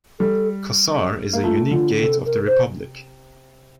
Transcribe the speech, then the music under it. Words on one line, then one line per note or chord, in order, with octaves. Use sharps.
Qusar is a unique gate of the republic.
G3 A4
A#3
A3 F4
D3 F4
C3 A4
A#4
C5